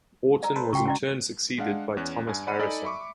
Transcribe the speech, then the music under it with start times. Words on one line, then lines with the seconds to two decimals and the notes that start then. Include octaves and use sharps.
Wharton was in turn succeeded by Thomas Harrison.
0.43 D5 A#5
0.56 A4 B4 C5
0.73 C#2 F#4 G5 C#6
0.86 C#4 E4 D5
1.58 G#3 D4 F5 F#5
1.97 E2 C#4 F#6
2.27 G2 G#5
2.47 D5 F#5 B5 C#7 D#7
2.59 D#4 A4 D5 D#5 G#5 B5
2.83 E5 B5 C#6 D6